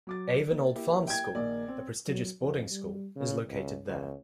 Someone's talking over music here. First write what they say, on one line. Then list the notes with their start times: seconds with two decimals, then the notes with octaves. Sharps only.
Avon Old Farms School, a prestigious boarding school, is located there.
0.07 F#3 D6 A6
0.50 A#3
0.75 A#3 E4 G4
1.07 G5 G#6
1.35 A#1 D#3 A#3 D5
1.68 C4
2.07 F#3
2.40 F2
2.71 G3
3.16 C#3
3.48 C#2
3.87 C#2